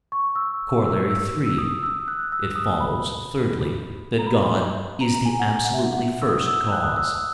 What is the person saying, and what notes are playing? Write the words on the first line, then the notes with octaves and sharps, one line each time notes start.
Corollary III.--It follows, thirdly, that God is the absolutely first cause.
C#6
E6
E6
E6
E6
D#6
E6
F#6
E6
D#6
B5
A#5
B5
A#5
G#5
F#5
G#5
F#5
E5
F#5
E6
D#6
E6
F#6
D#6
E6